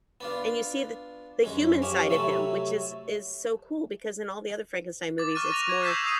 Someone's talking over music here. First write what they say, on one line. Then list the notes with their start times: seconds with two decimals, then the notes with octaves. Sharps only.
And you see the the human side of him, which is is so cool because in all the other Frankenstein movies, it's more
0.21 B3 D4 F4
1.44 F#2 G#3
1.82 F3 C#4 G4
2.10 C3 F#3 A3 B5 C#6
5.18 D6 A6
5.35 C#6 F6 F#6 A6 D#7
5.51 A6 A#6 F7
5.69 G#6
5.84 E6 G6 G#6 B6 C7 E7
6.04 D6 D#6 G6 C7 D#7